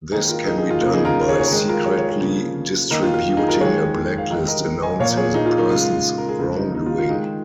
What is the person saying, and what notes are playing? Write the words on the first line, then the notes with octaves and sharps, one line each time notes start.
This can be done by secretly distributing a blacklist announcing the person's wrongdoing.
D#3 A#3 D#4 G#4
F4 A#4
D#4 G#4
D#4 G#4
F4
C#3 F3 A#3 F4
D#4 G#4
F4 A#4
A#4
G#4 C#5
G#4 C#5
A#4
D#3 G#3 D#4 G#4
F4 A#4
G#4 C#5
G#4 C#5
G#4 C#5
C#3 F3 A#3
D#3 A#3 A#4 D#5
F4
F4
D#4 G#4
F4 A#4
D#3 G#3 G#4 C#5
F5
D#3 G#3 A#4 D#5
A#4 D#5
D#5 G#5
A#2 F3 A#3 C#5 F5
G#4 C#5
D#4 G#4
F4
D#4
C#3 G#3 F4
A#4
G#4
C#3 G#3 F4
D#4
D#4
F4
F4
D#3 G#3 D#4